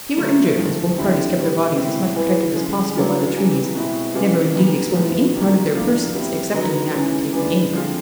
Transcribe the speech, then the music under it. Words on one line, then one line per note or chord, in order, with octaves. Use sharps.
Few were injured, as both parties kept their bodies as much protected as possible by the trees; never, indeed, exposing any part of their persons except in the act of taking aim.
D3 F#3 A3
A2 F3 G#3
D3 G3 C4 E4
B2 G3 B3
B2 G#3 C4 E4
E3 G#3 B3
C#3 F3 G#3
A2 F#3 B3 D4 F4
C#3 E3 G3
B2 G#3 C4 E4
C3 E3 G#3 C#4 F4
A#2 G3 B3 D#4 F#4
A2 F3 G#3 B3
C3 D#3 F#3 A#3 D4
A2 F3 A#3 D4 F4
G3 C4 E4
D3 F#3 B3 D#4 F#4
E3 G#3 C#4
E3 G#3 B3 D4
D3 F3 G#3 C4 F4